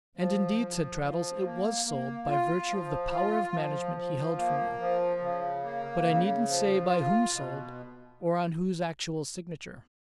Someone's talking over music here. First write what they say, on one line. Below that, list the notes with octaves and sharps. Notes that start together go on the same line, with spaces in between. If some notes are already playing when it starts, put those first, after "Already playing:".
'And indeed,' said Traddles, 'it was sold, by virtue of the power of management he held from you; but I needn't say by whom sold, or on whose actual signature.
F3
F3
F3
A#3
A#3
F4
F3
F4
F3
F3
A#3
F3
C#3
A#3
C#3
F3
F4
B2